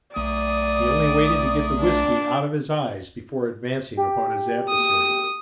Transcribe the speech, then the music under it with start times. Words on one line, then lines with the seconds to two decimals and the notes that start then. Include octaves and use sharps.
He only waited to get the whisky out of his eyes before advancing upon his adversary.
0.16 B1 A3 D5 D#6
1.78 D4
3.97 G4
4.69 D#6